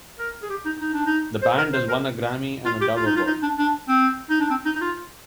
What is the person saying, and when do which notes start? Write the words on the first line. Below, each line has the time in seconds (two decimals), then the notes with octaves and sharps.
The band has won a Grammy and a Dove Award.
0.19 A#4
0.43 G#4
0.50 G4
0.65 D#4
0.81 D#4
0.93 D4
1.06 D#4
1.42 C5
1.58 A#4
1.73 C5
1.89 A#4
2.65 F4
2.81 G4
2.96 F4
3.06 D#4
3.16 F4
3.27 D#4
3.42 D4
3.58 D4
3.88 C4
4.30 D#4
4.40 D4
4.50 C4
4.65 D#4
4.76 D#4
4.81 F4